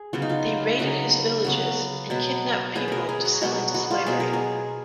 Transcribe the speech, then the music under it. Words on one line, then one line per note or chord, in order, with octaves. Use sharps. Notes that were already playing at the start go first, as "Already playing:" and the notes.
They raided his villages and kidnapped people to sell into slavery.
Already playing: G#4
C#3 F#3 B3 F4
D#4
F4
C#3 F#3 B3
C#3 F#3 B3 F#4
B2 F#3 B3
B2 F#3 B3 G#4
A#4 B4
G#4
F#4
B2 F#3 B3 F#4
F#4
F4
B2 F#3 B3 G#4
A#4
G#4